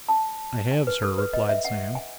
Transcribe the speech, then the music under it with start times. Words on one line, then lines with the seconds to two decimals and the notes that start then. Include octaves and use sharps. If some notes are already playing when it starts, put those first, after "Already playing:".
'I have, Sir,' replied Sam.
0.09 A5
0.71 G#5
0.87 B4
1.03 A4
1.18 B4
1.33 D#5
1.49 E5
1.65 F#5
1.95 G#5